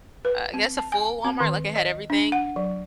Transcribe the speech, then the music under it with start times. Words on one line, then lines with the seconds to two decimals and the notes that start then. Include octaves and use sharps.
Uh, I guess a full Walmart, like, it had everything.
0.25 B4
0.54 C4
0.77 A5
0.92 G#5
1.25 C4
1.40 D#3
1.76 D#5
2.10 D4
2.32 F#5
2.56 F#3